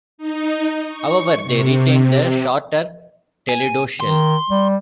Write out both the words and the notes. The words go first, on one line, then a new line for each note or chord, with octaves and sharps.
However, they retained the shorter Toledo shell.
D#4
C#6
C3
G#5
D#3 C6
G3